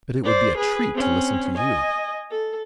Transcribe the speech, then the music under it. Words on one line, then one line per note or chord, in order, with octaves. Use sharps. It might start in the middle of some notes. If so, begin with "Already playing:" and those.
But it would be a treat to listen to you.
C5 D5
G#4 B4
C4 C#4
D#5 G#5
A4